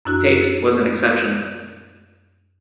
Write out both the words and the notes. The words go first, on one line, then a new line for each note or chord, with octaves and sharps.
Paete was an exception.
F#2 D4 E4 F#4 E6 F#6